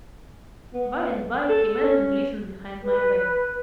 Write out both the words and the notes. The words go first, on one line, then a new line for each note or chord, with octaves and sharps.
By-and-by he went and listened behind my back.
B3
A4
C#4
B4